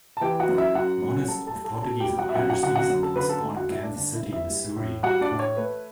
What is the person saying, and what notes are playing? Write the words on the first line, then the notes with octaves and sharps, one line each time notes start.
Moniz, of Portuguese and Irish descent, was born in Kansas City, Missouri.
A5
E3 G4 G5
F#4 F#5
F#2
E4 E5
F#2 F#4 F#5
F#2
G3 A4 A5
A4 A5
G3
A4 A5
B2 A4 A5
G4 G5
G3
F#4 F#5
E5
F#2 F#4 F#5
F#4 F#5
D3 F#4 F#5
F#4 F#5
F#2
A4 A5
D3 B4 B5
A4 A5
A3
F#4 F#5
G2 E4 E5
D4 D5
D3 D4 D5
E4 E5
G2
E4 E5
G3
A2
G3 F#4 F#5
D4 D5
A2
C#5
A3 B4